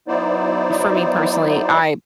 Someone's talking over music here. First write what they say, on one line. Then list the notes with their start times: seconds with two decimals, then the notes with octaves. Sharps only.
for me personally, I,
0.08 F#3 B3 D#4 E4 C5 D5